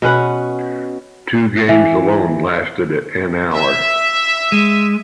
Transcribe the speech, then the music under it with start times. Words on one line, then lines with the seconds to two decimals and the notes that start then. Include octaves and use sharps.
Two games alone lasted an hour.
0.02 B2 C#4 B4 F#5
1.69 E3 E4
3.53 E5
4.52 G#3